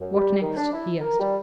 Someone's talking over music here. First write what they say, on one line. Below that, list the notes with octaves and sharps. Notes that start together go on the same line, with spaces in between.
"What next?" he asked.
F#2
G3
D#3
D4
E4
A#4
G3